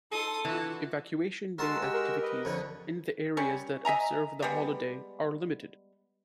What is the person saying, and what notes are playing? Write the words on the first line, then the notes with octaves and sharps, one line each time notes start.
Evacuation Day activities in the areas that observe the holiday are limited.
D#4 A4 C6 D#6
E3 D4 F4 F#4
G#3 F#4 A#4 A5 C6 E6
G4
A#4
B4 D#5
F2 D3 B4 C#5 C#6
G3 C#4
D#5 E5 G#5 A#5
G3 G#3 B3